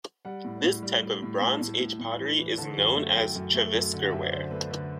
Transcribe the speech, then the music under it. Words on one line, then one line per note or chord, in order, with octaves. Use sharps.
This type of Bronze Age pottery is known as "Trevisker ware".
G3 F#5
A2
A2
G3
G3
A2
A2 A5
A2
A2
A2
E3
E3
D3 A5
F#2
A3
F#2 G5
F#2
A3
F#2
D3
F#5
F#2 E5
D5
D3 C5
A3 B4
D3 B4